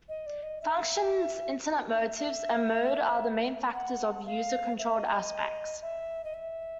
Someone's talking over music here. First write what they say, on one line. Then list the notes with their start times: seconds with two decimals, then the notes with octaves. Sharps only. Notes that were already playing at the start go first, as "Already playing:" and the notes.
Functions, Internet motives and mode are the main factors of user controlled aspects.
0.09 D#5
0.26 D5
0.43 D#5
0.61 E5
2.00 E5
2.18 E5
3.74 F#5
4.26 F5
4.78 E5
4.95 D#5
5.07 E5
5.13 D#5
5.82 E5
6.24 D#5
6.34 E5